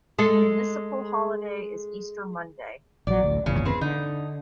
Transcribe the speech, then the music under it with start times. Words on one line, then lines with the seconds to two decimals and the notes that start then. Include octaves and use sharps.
The municipal holiday is Easter Monday.
0.19 G#3 A4
3.07 A#1 F#3 D5
3.23 A1 D2
3.46 G1 E2 A#2 C#3 C#4
3.65 C4 G#4 B4
3.81 D3 D#4